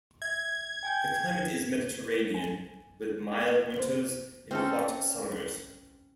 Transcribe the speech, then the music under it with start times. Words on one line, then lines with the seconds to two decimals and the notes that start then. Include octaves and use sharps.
The climate is Mediterranean, with mild winters and hot summers.
0.22 E5 G#6
0.83 G5 G#5 G6
2.34 G#5
3.79 C5
4.51 C4 C#4 A4